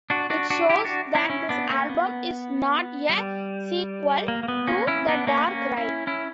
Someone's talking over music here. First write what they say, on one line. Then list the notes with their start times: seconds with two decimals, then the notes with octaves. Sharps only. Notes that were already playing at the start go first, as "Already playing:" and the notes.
It shows that this album is not a sequel to 'The Dark Ride'.
0.10 D4 F#4
0.30 D4 F#4
0.50 D4 F#4
0.69 E4 G4
0.84 D4 F#4
1.15 C#4 E4
1.30 C#4 E4
1.49 B3 D4
1.70 A#3 C#4
1.90 B3
3.09 G3
4.28 A#3
4.43 A#3
4.48 B3
4.67 A#3 C#4
4.87 C#4 E4
5.08 B3 D4
5.27 A#3 C#4
5.47 A#3 C#4
5.77 C#4 E4
6.07 C#4 E4